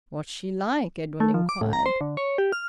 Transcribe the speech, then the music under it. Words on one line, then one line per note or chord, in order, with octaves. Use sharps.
"What's she like?" Edwin inquired.
A3
F3
D6
A2
A#5
C5
D3
C#5
G4
F6